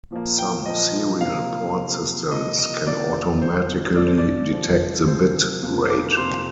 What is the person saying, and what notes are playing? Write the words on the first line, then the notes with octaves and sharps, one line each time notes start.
Some serial port systems can automatically detect the bit rate.
A#2 F3 A#3
G5
A#2 F3 A#3 D#5
C3 F3 A#3 F5
C3 F3 A#3
C3 F3 A#3 D#5
D#5
C3 F3 A#3 D5
C3 F3 G#3 C5
C3 F3 G#3 D5
C5
D5
C3 F3 G#3
C3 F3 G#3 C5
F2 C3 F3 A#3
D6
F2 C3 F3 A#3 C6